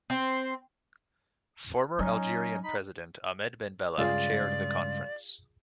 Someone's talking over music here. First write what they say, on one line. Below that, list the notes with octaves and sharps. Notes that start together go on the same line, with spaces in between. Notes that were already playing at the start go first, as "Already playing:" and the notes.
Former Algerian president Ahmed Ben Bella chaired the conference.
C4
F#3 C#4 D#4
D#4 B5
G2 C#3 G#3 F4 G#4 D5